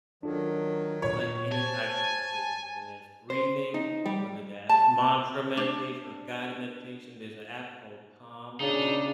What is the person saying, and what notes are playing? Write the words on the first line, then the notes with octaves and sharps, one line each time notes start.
like, any type of meditation, whether that's breathing, whether that's mantra meditation, or guided meditation, there's an app called Calm where they
D#3 F#3 D4 F4 A4
A#2 F4 C#5
G4 C5 G#5 A5
C5
D#4
G3
A5
D4
C#3 D4 D#4